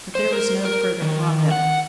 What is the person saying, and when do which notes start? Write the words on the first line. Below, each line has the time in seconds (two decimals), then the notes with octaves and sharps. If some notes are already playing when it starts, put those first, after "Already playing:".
But there was no further comment.
0.15 C5
0.33 A#4
0.65 A#4
1.02 D#3
1.51 F#5